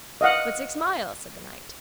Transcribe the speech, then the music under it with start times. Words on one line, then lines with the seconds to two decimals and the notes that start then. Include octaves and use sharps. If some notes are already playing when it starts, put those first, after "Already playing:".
But six mile, said the knight.
0.21 D#5 F5 F#5